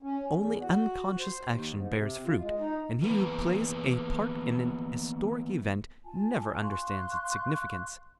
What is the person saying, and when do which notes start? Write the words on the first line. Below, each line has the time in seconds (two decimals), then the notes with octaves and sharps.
Only unconscious action bears fruit, and he who plays a part in an historic event never understands its significance.
0.02 C#4
0.31 E2
0.60 F#4
1.20 C5
1.46 D#2
1.73 G#2
1.94 C3
2.26 F4
2.41 G#3
2.59 D#4
3.02 E3 A#3 B3 B4
6.04 F4 G#5 A5
6.61 F5 C6 C#6 F#6